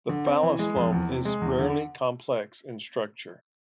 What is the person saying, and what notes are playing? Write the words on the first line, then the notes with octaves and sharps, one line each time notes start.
The phallosome is rarely complex in structure.
D3
C4
E3
G#3
F2
E2
C3
G#3
E2
D3